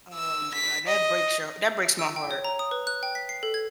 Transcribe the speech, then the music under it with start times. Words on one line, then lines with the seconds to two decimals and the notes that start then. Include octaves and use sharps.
Oh, my god, that breaks your that breaks my heart.
0.14 E6
0.54 B6
0.87 D#5
1.99 E6
2.16 G5
2.31 C#5
2.45 A#5
2.59 D#6
2.71 B4
2.87 F#6
3.03 G5
3.15 B6
3.29 C7
3.43 A4
3.54 G#6